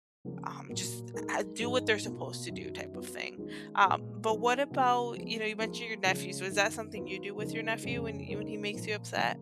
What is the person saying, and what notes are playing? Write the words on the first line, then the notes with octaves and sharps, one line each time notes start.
um, just a a do what they're supposed to do type of thing, um, but what about, you know, you mentioned your nephew, so is that something you do with your nephew when when he makes you upset?
C#3 F3 A#3
A#2 F#3 A#3
G#3 D#4 A#4
G#2 F3 G#3 D#4 G#4
B2 A#3 F4
F#2 D#3 F#3 C#4
F#3 B3 F4
D#3 G#3 C#4 F4
A#2 G#3 B3
F3 B3 D#4 G#4 B4
C#3 F#3 B3
F3 G#3 B3
F3 A#3 F4 G#4
C#3 F3 G#3 C#4 F4
F#2 D#3 F#3
D#3 F#3 B3 F4 B4
C#3 F3 G#3 D#4 A#4
F2 C#3 G#3 C#4 G#4
C#3 G#3 D#4 A#4 C#5
A#2 F3 A#3
C#3 F3 A#3